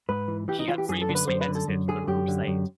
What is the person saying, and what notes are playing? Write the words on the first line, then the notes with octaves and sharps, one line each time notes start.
He had previously edited "The Crusade".
G#2 B4
E3
E3 G4
D#4
E3 F4
G4
F#2 G#4
A4
D3
B4
F#2 C5
B4
D3
A4
F#2
D3 G#4
F#2 G4
D3
F#2